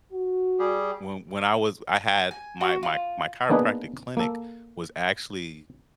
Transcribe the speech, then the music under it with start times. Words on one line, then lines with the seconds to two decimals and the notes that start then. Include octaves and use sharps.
When when I was I had my my my chiropractic clinic was actually
0.12 F#4
0.59 G3 G4 G#4
2.31 G#5
2.61 F#4
2.83 F4
3.50 A#3 B3 D4 D#4 G#4 B4
4.17 A#3 A4